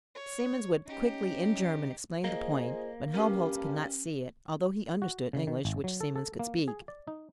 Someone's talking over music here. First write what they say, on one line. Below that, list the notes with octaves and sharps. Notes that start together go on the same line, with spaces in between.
Siemens would quickly, in German, explain the point, but Helmholtz could not see it, although he understood English, which Siemens could speak.
C#5
C#4 D#4 G4
A#3 F4 G#4 C5 D#5
G2 C#4 G4 A#4
F#4
C#3
D#3
G#1
F#3
A4
A4
A#3
G#4
D5
D#4